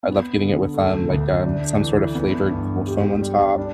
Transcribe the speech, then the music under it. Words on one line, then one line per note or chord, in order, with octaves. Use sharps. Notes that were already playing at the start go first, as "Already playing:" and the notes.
I love getting it with, um, like, um, some sort of flavored cold foam on top,
B3
D3
A3
D2
D4
E3
B3
G2
G4
G3
D4